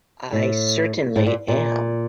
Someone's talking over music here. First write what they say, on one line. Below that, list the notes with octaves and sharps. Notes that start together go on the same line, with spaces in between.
I certainly am.
A2
A2
A#2
A#2